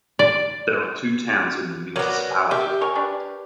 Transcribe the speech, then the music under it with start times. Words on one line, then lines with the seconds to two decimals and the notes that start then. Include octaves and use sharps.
There are two towns in the municipality.
0.19 D5
1.96 F#3 B3 A#4 D5 F#5
2.51 G4 A#4 E5
2.81 A#4 C#5 G#5
2.96 D4 B4